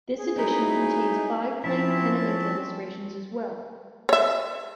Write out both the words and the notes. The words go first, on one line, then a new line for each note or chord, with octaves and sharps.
This edition contains five plain pen and ink illustrations as well.
G#4
F#3 C4 D#4 E4
F3 C4 C#4 E4 A5
C#5 E5